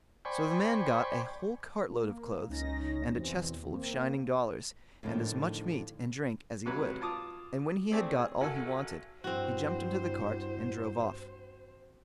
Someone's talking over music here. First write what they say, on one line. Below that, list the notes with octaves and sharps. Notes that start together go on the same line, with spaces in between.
So the man got a whole cart-load of clothes, and a chest full of shining dollars, and as much meat and drink as he would; and when he had got all he wanted, he jumped into the cart and drove off.
C5 D5 G5 G#5 B5 C#6
A#3
C#2 C#4 D#4 A#6
E2 B2 E3 C4
A#3 C4
F2 A2 D3 D#3
G#2 C3 F#3 B4
F4 A5 D6 D#6
A3 C4 G#4 D5 E5
G#4
G#1 F#4 A4 G#5 E6
G2 C4 E4 F#4 C5